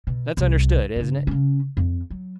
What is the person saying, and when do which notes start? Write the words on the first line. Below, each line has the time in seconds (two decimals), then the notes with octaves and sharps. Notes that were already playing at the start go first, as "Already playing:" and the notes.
"That's understood, isn't it?"
0.07 B2
0.37 C2
0.96 G2 C#3
1.27 C#3 C#4
1.77 F2
2.10 F#3